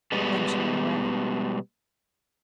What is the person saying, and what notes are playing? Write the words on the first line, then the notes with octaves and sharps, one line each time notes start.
Then she went away.
B2 G3 G#3 B3